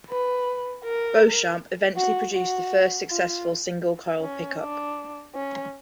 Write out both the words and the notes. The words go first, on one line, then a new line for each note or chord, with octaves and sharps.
Beauchamp eventually produced the first successful single coil pickup.
B4
A#4
F#4
F#4
F4
C#4
D4
C#4